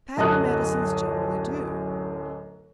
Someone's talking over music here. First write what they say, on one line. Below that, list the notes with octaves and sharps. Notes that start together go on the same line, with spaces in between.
Patent medicines generally do.
D1 F#2 D#5 A5 D#6 F#6